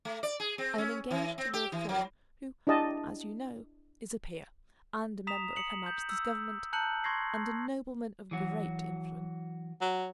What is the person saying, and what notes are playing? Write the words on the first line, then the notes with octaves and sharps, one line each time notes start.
I am engaged to Lord Fawn, who, as you know, is a peer, and a member of Her Majesty's Government, and a nobleman of great influence.
A3
D5
G#4
C4
C#4
E3
C4
G4
E3
F#3
D4 E4 G4 D#5 A5
A#5 D#6 B6 E7 F7
D#6 C#7 F#7
G6
E6
A5 A#5 F#6 G6 C#7 F#7
C6 C#6 G#6 A#6 C7
E3 F#3 F#4
F#3